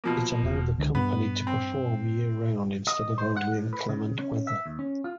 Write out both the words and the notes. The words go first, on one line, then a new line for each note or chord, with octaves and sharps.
It allowed the company to perform year round instead of only in clement weather.
B2 F3 A#3
E1
C#2 D3
G2 B3
C4
D#5
C5
F#5
A2
B4
C#3
C#4
E5
D#2
C#4
F4